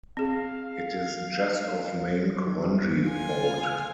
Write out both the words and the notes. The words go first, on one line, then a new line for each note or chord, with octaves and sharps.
It is just off main Korangi Road.
C4 G#4 F5
F4 G#5